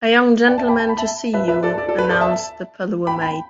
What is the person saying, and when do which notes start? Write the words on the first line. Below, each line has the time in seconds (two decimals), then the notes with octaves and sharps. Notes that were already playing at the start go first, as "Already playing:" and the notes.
"A young gentleman to see you," announced the parlour-maid.
0.48 D5 G5
0.58 E5 A5
0.69 G5 B5
0.79 A5
0.89 B5
0.98 E5 A5
1.34 B4 E5
1.48 B4 E5
1.63 A4 D5
1.78 A4 D5
1.89 A4 D5
1.99 B4
2.09 A4 D5
2.20 E5 A5
3.07 G5 B5
3.21 G5 B5